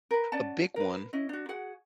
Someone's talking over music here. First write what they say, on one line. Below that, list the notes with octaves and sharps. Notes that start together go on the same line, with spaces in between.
A big one,
A#4 B4
C#4 D5 F#5 A5
A#4 B4
C#4 E4 D#5
D4 F#4
F#4 G#4 F#5